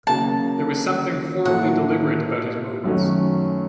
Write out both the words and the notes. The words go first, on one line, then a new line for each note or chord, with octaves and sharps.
There was something horribly deliberate about his movements.
C#3 F#3 A#3 A5
A2 F#3 A#3 F4 A4 F#5
F#2 D#3 F#3 A3 C#4